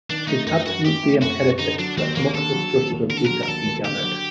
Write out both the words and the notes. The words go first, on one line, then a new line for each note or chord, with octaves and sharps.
It is absolutely imperative that multiple sources of data be gathered.
D#3 D4
A3 D#4
F#2 D#4
F#2 F#4
D#3 G4
A3
F#2 F#4
F#2
D3 D#4
F#3 D4
D#2 C4
D#2 A#3
D3 A4
F#3
D#2
D#2
D3 A#4
A4
F#3 A#4
A#4
D#2 A4
D#2
D3 G4
F#3